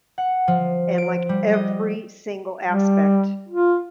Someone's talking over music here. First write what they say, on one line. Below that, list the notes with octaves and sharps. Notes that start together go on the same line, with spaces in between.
and, like, every single aspect,
F#5
F3
D7
G3
D#5
G3
F4